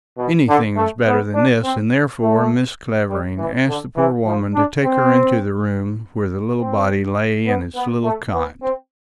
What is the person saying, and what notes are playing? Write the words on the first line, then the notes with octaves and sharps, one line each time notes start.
Anything was better than this, and therefore Mrs. Clavering asked the poor woman to take her into the room where the little body lay in its little cot.
B2
D3
A3
B3
D4
C4
A3
G3
E3
D3
E3
F3
D4
C4
C4
B3
B3
A3
B3
C4